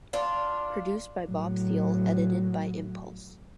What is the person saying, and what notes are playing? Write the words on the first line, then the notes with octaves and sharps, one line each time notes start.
Produced by Bob Thiele, edited by Impulse!
D4 F4
A2 F#3